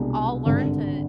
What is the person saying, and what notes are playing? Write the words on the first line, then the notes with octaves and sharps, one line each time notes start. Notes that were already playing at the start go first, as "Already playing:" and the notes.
all learn to,
Already playing: C2 B2 G#3 D4
G#1 G2 D3